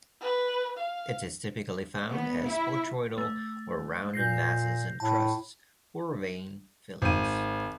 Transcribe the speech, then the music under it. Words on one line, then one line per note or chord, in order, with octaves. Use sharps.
It is typically found as botryoidal or rounded masses and crusts, or vein fillings.
B4
F5
B3
E4
A3
A#2 G6 A#6 C7
A2 A5
G#1 D#7